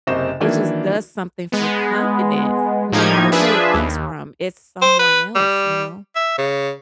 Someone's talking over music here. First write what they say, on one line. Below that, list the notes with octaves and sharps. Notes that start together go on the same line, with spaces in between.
It just does something for confidence, no matter who it comes from, it's someone else, you know?
F#1 C3 C5 D#5 C#6 E7
D#3 E3 F#3 A#3 D4 E4
G#3 B3
A2 F3 A#3 D#4 G4 G#6
F3 D4 G#4 B4 E5
D#2
C5
B4
G3
E5
C#3